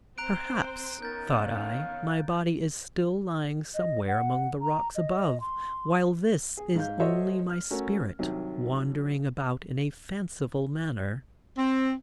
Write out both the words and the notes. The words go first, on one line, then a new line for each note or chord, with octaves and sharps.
Perhaps, thought I, my body is still lying somewhere among the rocks above while this is only my spirit wandering about in a fanciful manner.
C4 C5 A#5 C6 F#6 D7
D#3 B3 C#4 A#4 G6 A6
F5
D#5
F#5
A#5
D#5
C6
G#4
G#2 F5 G6
F#4 A4 C5 C#5 D#5 E5
F6
A3 C#4 F#4 A#4
C2 D#3 F#3
C4